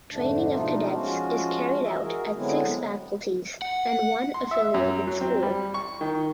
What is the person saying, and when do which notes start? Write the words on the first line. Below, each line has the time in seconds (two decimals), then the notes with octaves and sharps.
Training of cadets is carried out at six faculties and one affiliated school.
0.10 F2 G#2 D3 A3 D4
0.49 B2 F3 A3 D4 D#4 F4
0.93 F3 G#3 C#4 F4 F#4
1.83 E3 D#5 E5
2.01 F#4 G#4 A#4
2.35 D3 F#3 G#3 B3 C4 E4
3.62 F#5
4.34 C6
4.51 E5
4.74 F#2
5.07 F#3
5.21 C4
5.43 G3
5.74 C#6
6.01 D#3